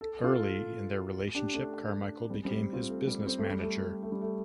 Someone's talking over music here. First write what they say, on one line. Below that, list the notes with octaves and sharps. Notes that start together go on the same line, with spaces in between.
Early in their relationship, Carmichael became his business manager.
A4
F4 A4
D4 G4
A3 D4
G3 C4
G3 C4
C4 F4
A3
G3
C4
A3
G3
A3
A3
G3
A3